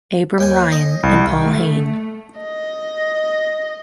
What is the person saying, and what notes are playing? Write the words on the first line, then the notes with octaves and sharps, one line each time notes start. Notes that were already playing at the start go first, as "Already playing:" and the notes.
Abram Ryan, and Paul Hayne.
D#2 G5 G#5
D#5
C2
A3
D#5